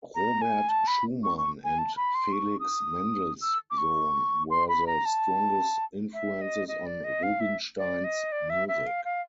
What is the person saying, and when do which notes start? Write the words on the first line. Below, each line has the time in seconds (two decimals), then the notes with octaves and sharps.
Robert Schumann and Felix Mendelssohn were the strongest influences on Rubinstein's music.
0.15 A#5
0.41 G#5
0.69 A5
0.87 B5
1.24 C#6
1.38 C#6
1.64 G#5
1.78 A5
1.96 B5
2.15 C6
2.32 C#6
2.59 D#6
3.41 E6
3.70 D6
3.78 C#6
4.50 C6
4.68 B5
4.87 A#5
5.05 A5
6.13 E5
6.41 D#5
6.68 D#5
6.86 D5
7.04 D#5
7.23 F5
7.40 E5
7.77 D5
8.04 D#5
8.32 D5
8.50 E5
8.68 E5
8.87 F5
9.05 F5